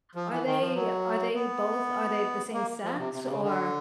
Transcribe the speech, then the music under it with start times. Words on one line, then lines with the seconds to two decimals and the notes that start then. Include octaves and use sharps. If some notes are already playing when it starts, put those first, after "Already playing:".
Are they are they both are they the same sex? Or
0.15 F3
0.30 E3
0.46 D#3
0.60 F3
0.75 F#3
1.35 B3
2.53 A#3
2.84 F3
2.98 C3
3.13 C3
3.24 C3
3.28 C#3
3.42 D3